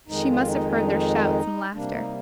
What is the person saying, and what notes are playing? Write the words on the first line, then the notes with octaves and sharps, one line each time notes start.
She must have heard their shouts and laughter.
F2 D#3 G#3 D#4
F4
D#4
D#4
D4
D#4
C3 G3 A#3 D4
D#4